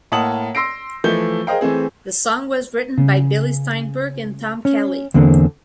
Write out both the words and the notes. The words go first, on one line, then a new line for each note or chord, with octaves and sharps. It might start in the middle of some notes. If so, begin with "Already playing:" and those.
The song was written by Billy Steinberg and Tom Kelly.
A2 A#3 F#5 A5 D#6 F#7
C6 E6 A#6 C7 D7
E3 F3 A3 G6 G7
G#4 A#4 C5 D#5 F5 G5
E3 A3 C4 G#4
C#3
C#4
E2 D3 A#3 C4